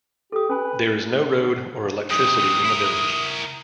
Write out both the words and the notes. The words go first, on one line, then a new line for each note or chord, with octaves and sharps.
There is no road or electricity in the village.
G4 A4 D#6
C#4 B4 G#5
F#2 C3 D#6
C3 E3
E4 A#4